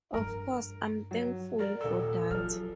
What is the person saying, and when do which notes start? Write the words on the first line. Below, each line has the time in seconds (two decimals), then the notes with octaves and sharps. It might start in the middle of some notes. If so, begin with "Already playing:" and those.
Of course I'm thankful for that.
0.14 G2 F3 A#4
1.11 F#3
1.59 A#4 D5
1.81 D#1 A4 E6
2.31 F3 F#3 F6